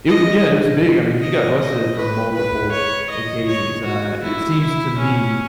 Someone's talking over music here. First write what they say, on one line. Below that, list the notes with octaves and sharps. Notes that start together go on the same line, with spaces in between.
it wa And yeah, it was big, I mean, he got busted for multiple occasions and I it seems to me
D#5
D#5
D#5
B4
B4
C#5
D#5
C#5
F#4
E4
E4
C#4